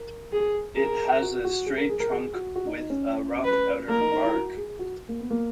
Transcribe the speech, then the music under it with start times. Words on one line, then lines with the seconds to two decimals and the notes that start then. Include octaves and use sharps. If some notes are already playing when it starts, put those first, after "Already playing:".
It has a straight trunk with a rough outer bark.
Already playing: A#4
0.33 G#4
0.77 G#4 A#4
1.22 F#4
1.45 F#4
1.66 G#4
1.77 A#4
1.89 G#4
2.00 A#4
2.11 G#4
2.34 F#4
2.56 F#4
2.67 D#4
2.78 D#4
2.90 C#4
3.45 B4
3.89 A#3 A#4
4.01 D#4
4.12 D#4
4.24 E4
4.34 F#4
4.57 G#4
4.79 F#4
5.09 A#3
5.20 B3
5.31 A#3